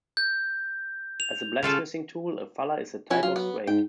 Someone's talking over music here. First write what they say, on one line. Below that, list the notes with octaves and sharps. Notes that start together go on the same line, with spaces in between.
As a blacksmithing tool, a fuller is a type of swage.
G6
F7
C#3 F4 A4
F3 C#4 E4 F#5
F#3 F4
B3
G#2 G5